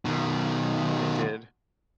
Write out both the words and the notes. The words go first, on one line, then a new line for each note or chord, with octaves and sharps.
It did?
B2 D#3